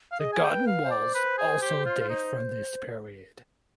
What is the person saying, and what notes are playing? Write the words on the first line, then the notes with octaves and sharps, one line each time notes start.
The garden walls also date from this period.
F5
G#4 D#5
G#5
G5
B4
F5
C5
D5
B4
G#4
G4
F4
F4
D#4